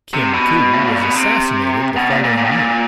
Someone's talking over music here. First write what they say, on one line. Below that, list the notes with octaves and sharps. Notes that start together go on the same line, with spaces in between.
Kim Koo was assassinated the following year.
C3
B2
A2
A#2
B2
C3
B2
A#2
A#2
A#2
A2
A#2